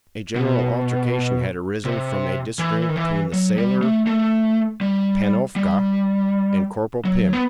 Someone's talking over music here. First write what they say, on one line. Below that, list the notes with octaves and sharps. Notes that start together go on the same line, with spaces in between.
A general altercation had arisen from a disagreement between the sailor Panofka and Corporal Pim.
B2
C3
E3
D#3
E3
F#3
G3
A3
A3
G3
G3
F#3
B3